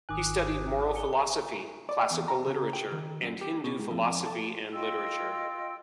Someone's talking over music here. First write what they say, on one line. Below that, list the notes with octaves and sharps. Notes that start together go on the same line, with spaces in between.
He studied moral philosophy, classical literature, and Hindu philosophy and literature.
G#1 D#3 G#5 D6 D#6 F#6
G#5 C#7 G7
D5
E2
A#5
C#3
G5
D#3
F#2
G4
B2
G#2
F2
A4
F4 D#5 G5 E6